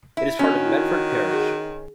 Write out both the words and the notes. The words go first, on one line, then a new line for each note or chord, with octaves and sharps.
It is part of Bedford Parish.
E4
D#3 B3 C#4 D4 F#4
E4
G#4 F#5 C#6